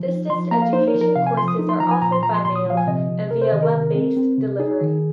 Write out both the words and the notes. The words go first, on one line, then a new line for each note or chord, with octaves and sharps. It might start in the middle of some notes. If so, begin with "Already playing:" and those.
Distance education courses are offered by mail and via web-based delivery.
Already playing: F3
D#4
F3 C6
A#3 A#5
F5
D#4 C5
A#4
F3
A#4
C3 F5
G#5
F3 C6
D#6
D#4
C6
F3 A#5
G#5
A#2 A#5
C6
F3 A#5
C6
A#2 C6
D#6
F3 F5
G#5
C3 D#5
C3
C3 A#4
C5
D#3 D#5
A#4
C3
C4
C4
C3
D#4 G#4
D#3